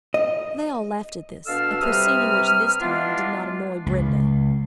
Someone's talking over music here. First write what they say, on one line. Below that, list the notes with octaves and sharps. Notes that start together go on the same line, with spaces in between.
They all laughed at this, a proceeding which this time did not annoy Brenda.
D#5
B2 D4 A4 F5 E6 F6
C3 G3 B4 D#6 F6
E3 G#3 B3 D4 F4
C#2